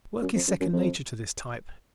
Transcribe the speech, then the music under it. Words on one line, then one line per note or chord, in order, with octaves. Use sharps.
Work is second nature to this type.
F#2
F2
F#2
F#2
F2